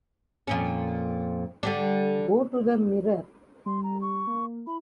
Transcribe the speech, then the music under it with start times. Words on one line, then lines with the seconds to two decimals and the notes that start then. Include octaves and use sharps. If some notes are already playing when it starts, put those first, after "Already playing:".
Go to the Mirror!
0.47 F2 A#2 C#4
1.63 D3 G3 D4
3.66 G3 C6
3.83 A#5
4.01 C#6
4.27 A#3
4.67 E4 B5